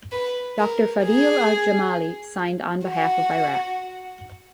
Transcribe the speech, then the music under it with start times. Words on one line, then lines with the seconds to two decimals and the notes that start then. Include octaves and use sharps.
Doctor Fadhil Al-Jamali signed on behalf of Iraq.
0.12 B4
0.59 A#4
1.05 G#4
2.87 F#4